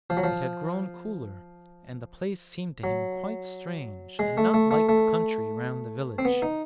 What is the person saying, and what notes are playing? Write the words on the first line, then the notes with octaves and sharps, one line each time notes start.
It had grown cooler and the place seemed to him quite strange and not like the country round the village.
F3
F#3
F3
F#3
G#3
A3
A3
A3
A3
C4
B3
D#4